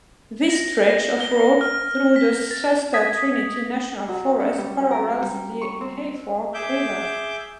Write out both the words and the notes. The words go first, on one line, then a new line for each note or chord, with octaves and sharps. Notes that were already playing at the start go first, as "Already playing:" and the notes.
This stretch of road through the Shasta-Trinity National Forest parallels the Hayfork River.
A#6
A#6
G7
F6
B6
A6
D#6 G#6 A#6 B6
F#3
C#4
G3
A#4
G3
C#6
C4
G#4 E5 D6 G6